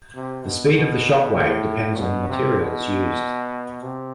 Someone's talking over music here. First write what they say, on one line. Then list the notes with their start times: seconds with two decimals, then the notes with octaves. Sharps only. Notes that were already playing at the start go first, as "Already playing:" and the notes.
The speed of the shock wave depends on the materials used.
0.15 C3
0.45 B2
0.76 B2
1.37 A2
1.99 B2
2.29 C3
2.60 B2
3.83 C3